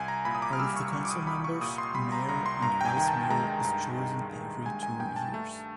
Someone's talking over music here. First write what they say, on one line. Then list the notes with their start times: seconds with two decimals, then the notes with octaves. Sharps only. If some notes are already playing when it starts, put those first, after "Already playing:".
Out of the council members, a mayor and vice-mayor is chosen every two years.
Already playing: C2 G#5
0.08 A#5
0.25 A#2 B5
0.35 D#6
0.42 D6
0.53 F6
0.60 G3 E6
0.76 C#6
0.93 C2 C#6
1.05 D6
1.11 D#6
1.27 C2 B5
1.44 C#6
1.61 A#2 D#6
1.78 C6
1.95 G3 B5
2.12 A#5
2.29 C2 A#5
2.46 C6
2.62 G2 A#5
2.81 G5
2.85 G#5
2.97 D#3
3.08 A5
3.30 G#3 A#5
3.65 G2
3.98 G2
4.32 D#3
4.66 G#3 G#5
4.83 G#5
4.99 G2 G5
5.16 A5
5.34 A3